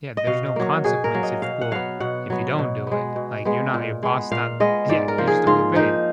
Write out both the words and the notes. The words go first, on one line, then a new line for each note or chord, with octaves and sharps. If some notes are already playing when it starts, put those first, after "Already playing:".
Yeah, there's no consequence if well, if you don't do it, like, you're not your boss don yeah, you just don't get paid.
D#5
B2 F5
F#3 A#3
B2 G#4
A#4
F#3 A#3
D#5
B2 F5
F#5
F#3 B3 F5
B2 F#5
F#3 B3
B2
G#3 B3
B2
G#3 B3
A#2
G#3 B3
A#2 F5
G#3 B3 D#5
G#2 D5
A#4
F3 A#3
G#4
G#2 F4
F3 A#3 D#4